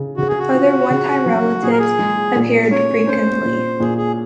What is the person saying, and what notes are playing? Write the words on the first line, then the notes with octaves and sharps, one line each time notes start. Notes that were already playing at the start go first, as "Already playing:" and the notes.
Other one-time relatives appear frequently.
Already playing: C#3
C#3 F#4
G#4
F#4
F4
C#3
F#3
A#2 G#4
A#4
G#4
G#3
A#2
C#4 C#5
C#4 C5
A#2
A#2 G#4
G#4